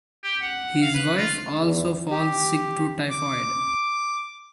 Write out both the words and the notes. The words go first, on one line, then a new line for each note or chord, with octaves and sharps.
His wife also falls sick to Typhoid.
G4
F#5
F5
B4
F4
E2
G4
D6